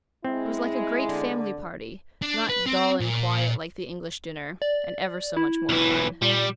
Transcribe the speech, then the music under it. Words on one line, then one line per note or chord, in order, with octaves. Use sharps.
It was like a great family party--not dull and quiet like the English dinner, and ever so much more fun.
G#3 C4 E4
D3
D4
B4
C4
A#2
D5
E4
B1 E3
A#2 G3